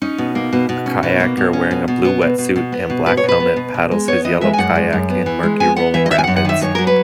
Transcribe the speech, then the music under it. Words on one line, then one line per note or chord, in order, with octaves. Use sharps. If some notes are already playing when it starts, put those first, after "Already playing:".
A kayaker wearing a blue wetsuit and black helmet paddles his yellow kayak in murky rolling rapids.
C#4 D#4
B2
A#3
B2
B2
C#4
B2
A#3
B2
C#4
B2
B2
B3
B2
B2
B2
B3
B2
B2 B4
C#5
B2
B4
B3
B2
B2
G#3
B3 C#5
E3 D#5
G#3 E5
G#5
F#2 F#5
G#3
F#2
B3
E3
G#3
B3 G#5
B3 F#5
E3 E5
D#5
D#3 E5
G#5
F#5
F#2
F#5
D#3 E5
F#2 C#5
F#3 A#4
B4